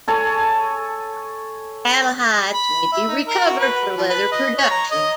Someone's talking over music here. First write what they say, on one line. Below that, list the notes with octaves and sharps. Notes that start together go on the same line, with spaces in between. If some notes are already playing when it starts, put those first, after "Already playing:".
Cattle hides may be recovered for leather production.
A4 C#5 G#5
B5
E5
D#4
A#4
F#4
B4
F3
B4
D#5
C#5
A#5
D#5